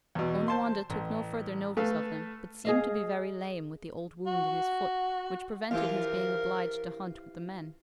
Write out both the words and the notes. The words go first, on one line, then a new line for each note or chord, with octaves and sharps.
Onawandah took no further notice of them, but seemed to be very lame with the old wound in his foot, which prevented his being obliged to hunt with the men.
E2 B2
C5 A5 C6
A1
A3 A4 B4 F5
G#4 D#5 F5
F#4
E3 E4 F4 G4 A#4 C5 F5